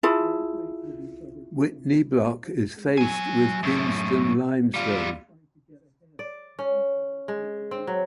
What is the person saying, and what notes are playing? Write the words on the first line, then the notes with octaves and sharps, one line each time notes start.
Whitney Block is faced with Queenston limestone.
E4 F4 G#4 A5
F#3 G#5
F#2 A2
G3 F4
D5
C#4
G#3
C4
F#3